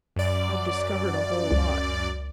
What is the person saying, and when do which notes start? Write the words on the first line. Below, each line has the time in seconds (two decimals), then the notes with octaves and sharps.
I've discovered a whole lot.
0.16 F#2 D5
1.51 C#2